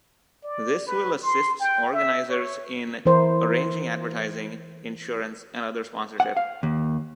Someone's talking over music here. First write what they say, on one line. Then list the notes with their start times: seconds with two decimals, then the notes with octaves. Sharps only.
This will assists organisers in arranging advertising, insurance and other sponsorship.
0.44 D5
0.87 B4
1.22 C6
1.60 G5
1.93 E5
2.29 C#5
3.06 E3 E4 A#4 C5
6.20 F#5
6.37 F5
6.63 D#2